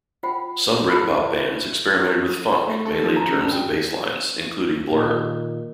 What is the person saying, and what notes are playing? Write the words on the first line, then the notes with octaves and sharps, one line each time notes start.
Some Britpop bands experimented with funk, mainly in terms of bass lines, including Blur.
F4 C5 F#5 G5 B5
C#4 E4 G#4 A#4 A#5 B5
E4 E5
A3
A4
F3
A#5
C#3
G2
G5
A#2 D#3